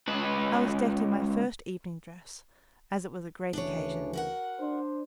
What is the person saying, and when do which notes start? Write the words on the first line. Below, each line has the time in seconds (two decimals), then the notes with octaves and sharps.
I was decked in my first evening dress, as it was a great occasion.
0.08 C#2 B4
3.53 D2 C#3 E3 D4 C#5
4.13 F#4 A#4 F#5
4.59 D4 C5